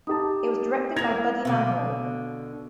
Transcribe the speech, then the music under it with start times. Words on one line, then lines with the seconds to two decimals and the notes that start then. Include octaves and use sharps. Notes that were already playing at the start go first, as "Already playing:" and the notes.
It was directed by Buddy Van Horn.
0.07 D#4 G4 A5 D#6
0.96 A#3 E4 G#6 A#6 F7
1.45 B2 D3 F5